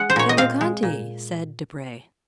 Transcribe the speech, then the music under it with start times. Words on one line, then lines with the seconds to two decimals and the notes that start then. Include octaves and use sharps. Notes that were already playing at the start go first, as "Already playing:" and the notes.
"Cavalcanti!" said Debray.
Already playing: G#3 F#5
0.10 C5
0.16 A#2 C#5
0.29 D#5
0.37 C4 F5
0.61 G#3
0.83 A#2